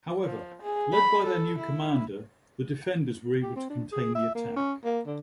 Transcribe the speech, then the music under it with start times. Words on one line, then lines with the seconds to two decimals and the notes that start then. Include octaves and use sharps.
However, led by their new commander, the defenders were able to contain the attack.
0.24 F3
0.62 G#4
0.93 B5
1.25 A4
1.58 E4
3.43 G4
3.56 C4
3.70 D4
3.92 G#4
4.15 E5
4.35 A#3
4.56 C#4
4.85 A#3
5.06 D3